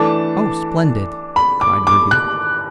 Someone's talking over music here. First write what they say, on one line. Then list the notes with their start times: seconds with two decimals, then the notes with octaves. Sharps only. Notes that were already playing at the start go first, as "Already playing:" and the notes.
"Oh, splendid," cried Ruby.
Already playing: E3 A3 D4 A5
1.36 B5
1.61 D6
1.87 D6
2.11 F#6